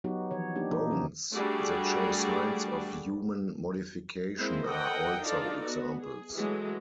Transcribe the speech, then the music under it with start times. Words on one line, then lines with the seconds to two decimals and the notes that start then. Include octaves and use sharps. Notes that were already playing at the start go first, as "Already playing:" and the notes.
Bones that show signs of human modification are also examples.
0.04 F#3 B3 D#4 F#4 G4
0.31 E3 F3 C#5
0.55 A#3 D4 D#4 G4
0.71 E3 A#3 D#4
0.91 C#3 F3 C#4
1.33 G3 A3 D4 F#4 G#4 D5
4.37 G#3 A#3 C4 E4 C5
4.67 A4 A#4 D#5 F#5 G5
5.23 D4 D#4 F4 A4 D5
5.63 B3 F#4
6.02 G#4
6.35 E3 F#3 G#3 A3